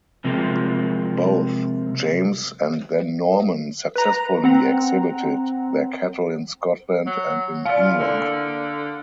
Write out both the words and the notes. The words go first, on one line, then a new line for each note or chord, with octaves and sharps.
Both James and then Norman successfully exhibited their cattle in Scotland and in England.
C3 F3 G#3 A#3
B4 A#5
C4 F#5 A#5
F#3
E4 F4 D5 F5 F6
D3 A#3